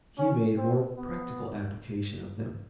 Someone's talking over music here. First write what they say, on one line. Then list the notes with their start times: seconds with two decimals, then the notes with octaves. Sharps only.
He made a more practical application of them.
0.18 C#4
0.57 C4
0.96 B3